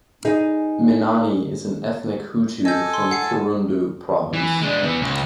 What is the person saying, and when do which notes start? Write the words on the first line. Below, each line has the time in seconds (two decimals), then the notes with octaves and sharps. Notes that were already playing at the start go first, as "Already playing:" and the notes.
Minani is an ethnic Hutu from Kirundo province.
0.25 D#4 G#4
2.65 A4 D#5 G#5 A5 G6
2.94 C6
3.11 F#5 C7
4.34 E3
4.62 G#3 D4
4.83 E3 B3
5.02 C#2